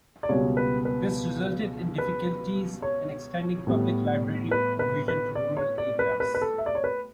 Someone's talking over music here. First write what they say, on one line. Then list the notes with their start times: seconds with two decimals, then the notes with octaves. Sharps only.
This resulted in difficulties in extending public library provision to rural areas.
0.23 D5
0.29 C#2 B2 G3 B3 C#5
0.57 B4
0.85 B4
1.98 B4
2.82 C#5
3.67 A2 G3 B3
4.51 B4
4.79 B4
5.08 B4
5.35 D5
5.57 C#5
5.78 D5
5.99 B4
6.20 B4
6.35 B4
6.41 A4
6.58 E5
6.66 D5
6.75 C#5
6.84 B4